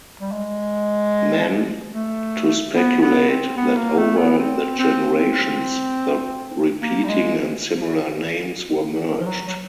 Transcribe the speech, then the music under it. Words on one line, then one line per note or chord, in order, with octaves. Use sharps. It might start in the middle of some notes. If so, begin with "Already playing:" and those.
Mann to speculate that over the generations the repeating and similar names were merged.
G3
G#3
A3
B3
B3
C4
B3
A#3
A3
B3
C4
C4
C4
A#3
G3
G#3
F3
F#3
F#3